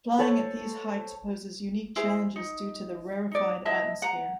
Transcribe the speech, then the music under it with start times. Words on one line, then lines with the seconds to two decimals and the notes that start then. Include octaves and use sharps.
Flying at these heights poses unique challenges due to the rarefied atmosphere.
0.19 A4 C5 C#5 A5
1.96 E4 G#4 C5 E5
2.36 D#4
3.31 D#4 D5
3.65 E4 D#5 E5 A5
4.02 F#5 A#5